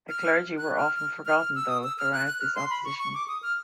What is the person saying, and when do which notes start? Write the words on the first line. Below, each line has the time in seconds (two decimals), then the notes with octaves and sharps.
The clergy were often forgotten though throughout this opposition.
0.09 F6
0.58 F#6
0.77 F6
0.96 F6
1.25 F6
1.40 F6
1.55 E6
1.68 D#6
1.84 E6
1.98 F6
2.12 F#6
2.27 F#6
2.41 F6
2.55 C6
2.70 B5
2.84 C#6
2.99 C#6
3.14 D6
3.28 D#6
3.43 F6